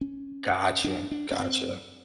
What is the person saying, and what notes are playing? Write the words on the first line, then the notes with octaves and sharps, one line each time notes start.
Gotcha. Gotcha.
C#4
D4
D4
C#4
C4